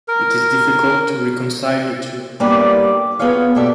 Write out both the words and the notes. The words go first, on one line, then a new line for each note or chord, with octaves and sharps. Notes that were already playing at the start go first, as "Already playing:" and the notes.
It is difficult to reconcile the two, however.
A#4
G3 A#3 B3 D4 G4 D5
B3 F4 G#4 C#5 F5
B2 A#3 G4 A4 D5 E5